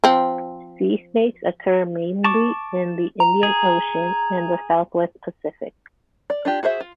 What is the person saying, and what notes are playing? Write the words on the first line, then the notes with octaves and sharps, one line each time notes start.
Sea snakes occur mainly in the Indian Ocean and the southwest Pacific.
F3 C4
A5 C#6 D6
A#5
G#4
D5
D4 F4 G4
F#4 G#4 C5 E5
F4